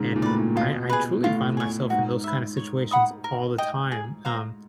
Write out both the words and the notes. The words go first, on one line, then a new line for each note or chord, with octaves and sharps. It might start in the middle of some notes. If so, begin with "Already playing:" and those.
And I I truly find myself in those kinda situations all the time, um,
Already playing: G#2 C#3
A#2
A2 B4 D5
A#2
B2 F4
G#4 B4
A2 F4
G#4 C#5
G#2 F#4
B4 E5
C#5
F#5 B5 D#6
A#4
D#5 G5
G#4
C5 F5 A#5